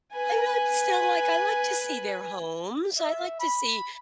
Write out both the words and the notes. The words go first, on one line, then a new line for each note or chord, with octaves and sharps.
I'm not still like, I like to see their homes. I like to see
B4 G#5
E5
B5